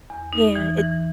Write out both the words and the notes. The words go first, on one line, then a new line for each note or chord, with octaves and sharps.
Yeah, it
E2
D#4
E3
E3